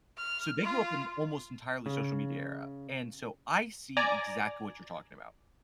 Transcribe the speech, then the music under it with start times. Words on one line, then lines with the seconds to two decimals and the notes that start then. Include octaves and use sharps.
So they grew up in almost entirely social media era, and so I see exactly what you're talking about.
0.17 F6
0.63 F4
1.86 C#3
3.97 D5 G#5 A#5